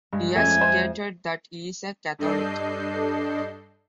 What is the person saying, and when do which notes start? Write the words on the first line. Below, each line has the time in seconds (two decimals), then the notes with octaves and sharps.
He has stated that he is a Catholic.
0.13 G2 G#3
0.36 F2 A3 C#4 E5 G#5
0.61 C5
2.18 G2 D4 A4 D#5 G6 C7